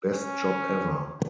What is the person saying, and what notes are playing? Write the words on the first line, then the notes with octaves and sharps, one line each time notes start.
Best job ever!
C#4